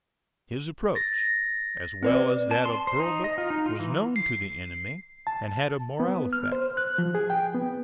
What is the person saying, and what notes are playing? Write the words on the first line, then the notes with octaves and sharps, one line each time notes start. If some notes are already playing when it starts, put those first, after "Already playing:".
His approach, as well as that of Hurlbut, was known to the enemy and had a moral effect.
A6 A#6
C4 B4 D5
A5
C6
C5
D#4
D#5
F4
D#4
F4
E3
C7
A5
B3
F6
C5
F#6
F3
G#4
G5
B3